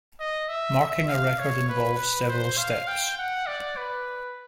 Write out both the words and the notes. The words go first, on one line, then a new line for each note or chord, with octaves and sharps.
Marking a record involves several steps.
D#5
E5
E5
F5
C#5
B4
B4
C5
F5
G5
F#5
D5
B4